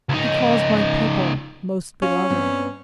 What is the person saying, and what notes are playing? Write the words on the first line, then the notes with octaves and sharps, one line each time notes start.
"He calls my people 'most beloved'."
C#2 D#4
C#4 F4
G2 B3 C4